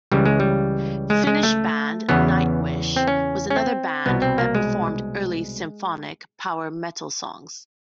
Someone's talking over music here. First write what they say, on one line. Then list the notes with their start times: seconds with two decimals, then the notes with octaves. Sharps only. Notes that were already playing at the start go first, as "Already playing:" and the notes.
Finnish band Nightwish was another band that performed early symphonic power metal songs.
0.12 C#2 C#3 E3 G3
0.25 G#3
0.40 G3
1.10 G#3
1.27 G#3
1.43 A3
2.09 E2 C#3 E3 B3
2.96 C4
3.08 C#4
3.50 C#4
3.56 C4
4.06 C2 B2 B3
4.22 C4
4.38 A#3
4.55 G#3